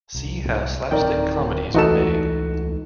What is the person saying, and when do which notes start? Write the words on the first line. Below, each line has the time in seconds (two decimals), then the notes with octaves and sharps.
See how slapstick comedies are made.
0.15 C2
0.91 D1 D#3 C4 A#4 D5 G5
1.74 C#2 E3 G#3 A3 D#4 F#4 A4 E7